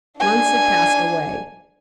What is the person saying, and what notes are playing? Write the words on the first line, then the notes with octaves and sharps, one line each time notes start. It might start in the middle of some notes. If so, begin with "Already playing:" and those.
Months had passed away.
D4 G#5